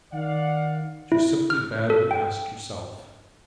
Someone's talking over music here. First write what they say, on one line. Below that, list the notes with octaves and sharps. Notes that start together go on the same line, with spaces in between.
She simply bade me ask yourself.
D#3 D5 F5 F#5
E4
F6
A4
G5